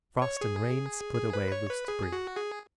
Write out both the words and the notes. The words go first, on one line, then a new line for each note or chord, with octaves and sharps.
Frost and rain split away loose debris.
C#5
G#4
G#4
B4
C#5
B4
G#4
F#4
G#4